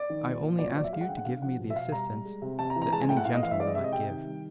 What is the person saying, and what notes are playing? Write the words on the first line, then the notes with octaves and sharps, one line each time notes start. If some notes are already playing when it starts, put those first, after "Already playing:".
"I only ask you to give me the assistance that any gentleman might give."
Already playing: D5
D#3
A#2
A#2
F#3 D5
C#5
F#3 D5
E5
G#3 F5
F#5
D3 G5
F#5
D3 F5
F3 F#5
B2
E5
B2 F5
G3 A#5
G3
G#3
C3
C3 A5
A#5
E3
A#5
G#3 A5
G#5
A2 G5
F#5
A2 F5
D#5
E3 F5
E5
G#3 D5
D#5
C3 E5
D#5
C3 G5
D#3
G3